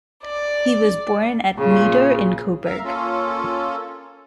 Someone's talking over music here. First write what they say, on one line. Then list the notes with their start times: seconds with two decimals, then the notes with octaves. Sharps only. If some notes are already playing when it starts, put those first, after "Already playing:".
He was born at Meeder in Coburg.
0.24 D5
1.57 A#2 C#3
2.66 A#4 E5 F5 A#5
2.84 A#3 C#4 F4 A4